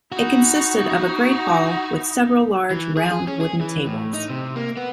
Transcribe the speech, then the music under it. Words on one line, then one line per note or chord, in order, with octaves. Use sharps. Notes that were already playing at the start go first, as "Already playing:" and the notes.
It consisted of a great hall with several large round wooden tables.
D#4 E4 F#4
E3
G#4
G#4
C#4
G#4
E3
A2
D#4
C3
A#3
B3